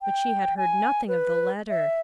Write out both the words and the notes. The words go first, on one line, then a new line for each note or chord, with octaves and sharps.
But she had heard nothing of the letter.
G5
G#5
B4
E5